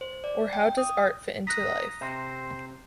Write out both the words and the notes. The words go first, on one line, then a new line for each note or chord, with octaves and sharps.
Or how does art fit into life?
C5
D5
G5
D#6
A#5 D#6 F#6 A#6 B6
C3 C5